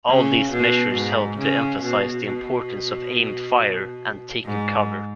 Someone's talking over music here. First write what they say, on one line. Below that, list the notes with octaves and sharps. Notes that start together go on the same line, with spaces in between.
All these measures help to emphasize the importance of aimed fire, and taking cover.
C#3
B2
G#2
C#3
B2
B2
G#2